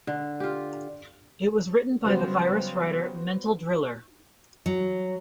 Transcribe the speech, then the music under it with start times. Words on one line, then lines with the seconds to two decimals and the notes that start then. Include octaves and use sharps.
It was written by the virus writer "Mental Driller".
0.07 D3
0.40 F4 G4
2.05 C#3 F#3 G3 B3 F#4 C5
4.66 F#3